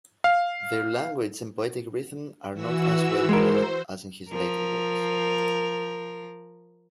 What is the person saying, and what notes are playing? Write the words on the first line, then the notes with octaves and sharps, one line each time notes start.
Their language and poetic rhythm are not as well-developed as in his later works.
F5
E3 F#4 E6
G#3 A#4 C5
F3 A#4